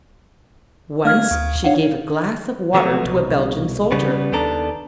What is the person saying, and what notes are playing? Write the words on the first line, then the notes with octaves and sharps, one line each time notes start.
Once she gave a glass of water to a Belgian soldier.
A3 F5 F6 G#6
D2
D4 C#5 F5 F#5
C3 F3 F#3 A3 B3 F#4
C2 B2
C#3 G3 B3 B4
D#2 D#3 B3 D4 A4 A#5